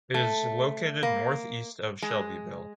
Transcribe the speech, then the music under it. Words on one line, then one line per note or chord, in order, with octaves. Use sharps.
It is located northeast of Shelbyville.
A3
A#3
G#3